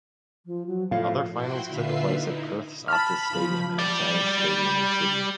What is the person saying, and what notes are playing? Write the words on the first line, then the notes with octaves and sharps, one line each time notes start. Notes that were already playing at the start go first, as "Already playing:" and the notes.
Other finals took place at Perth’s Optus Stadium and at Giants Stadium in Sydney.
F3
F#3
A2 F3 F5
E4 F#4 G5 C6
A#2 D3 F4 B4 E5 C7
D#4 E4
A5 B5 F6
F3
G3 D5